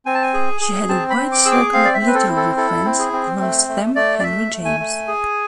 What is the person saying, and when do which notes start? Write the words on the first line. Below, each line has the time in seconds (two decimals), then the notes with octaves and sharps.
She had a wide circle of literary friends, amongst them Henry James.
0.06 C4 G#5
0.15 A5
0.22 G#5
0.34 G#4
0.61 G#4
0.89 C4 A5
1.10 B5
1.17 C4
1.32 D6
1.45 G#4 E6
1.51 D6
1.73 C4 F5
1.85 D5
1.94 E5
2.01 C4
2.07 B4
2.15 A4
2.28 E4
2.36 A4
2.57 E4 A4
2.85 C4
2.99 G#4
3.13 C4
3.41 A3
3.68 A3
3.95 A3 D5
4.19 D5
4.24 A3 E5
4.52 A3
4.65 G#5
4.80 A3
5.08 G#4